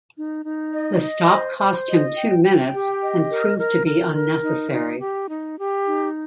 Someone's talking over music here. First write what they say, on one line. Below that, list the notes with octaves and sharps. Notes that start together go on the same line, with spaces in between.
The stop cost him two minutes, and proved to be unnecessary.
D#4
D#4
D#5
D#5
C5
C5
D#5
G5
G5
G4
D#5
A#4
A#4
A#4
A#4
D#4
D#4
G4
D#4
G4
D#4